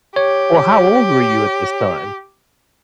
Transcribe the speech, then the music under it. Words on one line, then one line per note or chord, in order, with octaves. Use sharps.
Well, how old were you at this time?
G4 C#5